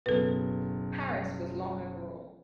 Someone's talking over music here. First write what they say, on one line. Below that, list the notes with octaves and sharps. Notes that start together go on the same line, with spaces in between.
"Paris" was long overall.
F#1 B2 A4 B4